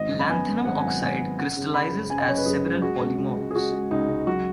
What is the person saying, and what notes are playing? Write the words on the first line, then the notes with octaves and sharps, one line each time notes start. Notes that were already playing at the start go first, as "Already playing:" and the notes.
Lanthanum oxide crystallizes as several polymorphs.
Already playing: G#1 D#5
F#2
B5
B3 G#5
F#2
G#1 F#5
G#5
F#3 F#5
G#1 G#5
B3
F#2 F#5
C#3
C#3 B5
F#1
F#2 G#5
D#5
F#1 C#5
B4
F#2 G#4
G#3
G#3 F#4
C#2
G#3
C#2
G#4
G#3 F#4
G#3
C#2 D#4
C#2
F#3 F#4